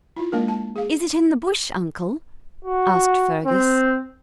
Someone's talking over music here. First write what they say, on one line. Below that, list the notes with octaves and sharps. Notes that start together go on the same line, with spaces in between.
"Is it in the Bush, Uncle?" asked Fergus.
E4 F4
G#3 A#3 D4 A#4
A5
G#4 F5
F#4
C4